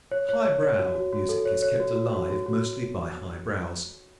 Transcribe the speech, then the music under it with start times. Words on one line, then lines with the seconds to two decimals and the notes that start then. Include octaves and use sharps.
"Highbrow" music is kept alive mostly by highbrows.
0.11 C#5
0.29 C#5
0.45 C#5
0.63 C#5
0.79 F#4
0.95 F#4
1.12 F#4
1.29 A4
1.45 C#5
1.62 C#5
1.80 F#4
1.96 F#4
2.13 F#4
2.30 F#4
2.46 F#4